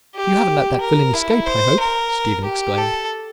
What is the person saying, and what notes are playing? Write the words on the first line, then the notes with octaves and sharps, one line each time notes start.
"You haven't let that villain escape, I hope," Stephen exclaimed.
G4
A#4
E4
C5
A#4
G4
A4